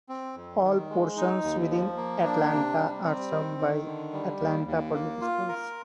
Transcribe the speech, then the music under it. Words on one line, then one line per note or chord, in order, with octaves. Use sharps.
All portions within Atlanta are served by Atlanta Public Schools.
C4
F2
D#3
G#3
D#4
D#2
F3
A#3
D4
C3
G3
C4
D#3
D#3
D3
G3
D#2
D#2
A#3
F4
A#4